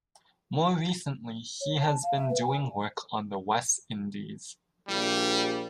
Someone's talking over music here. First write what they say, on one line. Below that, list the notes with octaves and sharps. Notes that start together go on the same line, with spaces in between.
Most recently he has been doing work on the West Indies.
C#5
A5
F5
E5
B4
G#5
A#1 G3